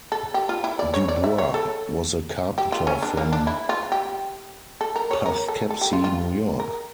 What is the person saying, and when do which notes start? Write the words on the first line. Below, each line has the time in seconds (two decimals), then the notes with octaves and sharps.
DuBois was a carpenter from Poughkeepsie, New York.
0.12 A4
0.34 G4
0.49 F4
0.64 E4
0.79 D5
0.94 C#5
1.08 D5
1.24 E5
1.38 C#5
1.54 A4
2.58 G4
2.72 F4
2.87 C#4
3.02 D4
3.17 A#3
3.33 D4
3.47 E4
3.69 F4
3.92 G4
4.81 A4
4.96 A#4
5.11 C#5
5.26 A#4
5.48 A4
5.70 A4
5.81 G4
5.93 F4
6.04 F4
6.60 A#4